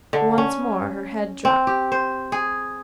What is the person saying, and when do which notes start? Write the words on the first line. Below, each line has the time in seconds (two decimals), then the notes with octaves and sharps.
Once more her head dropped.
0.13 D3
0.38 C#4
1.45 C4
1.67 G4
1.92 C5
2.32 G#4